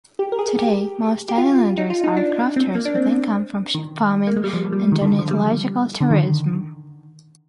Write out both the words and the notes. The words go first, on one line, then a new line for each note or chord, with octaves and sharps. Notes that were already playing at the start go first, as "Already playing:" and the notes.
Today, most islanders are crofters with income from sheep farming and ornithological tourism.
G4
A#4
G#4
G4
G4
F4
D#4
F4
D#4
D4
C4
A#3
D4
C4
D#3
A#3
G#3
G3
F3
G3
D#3
D3
D#3
F3
G3
D3
D#3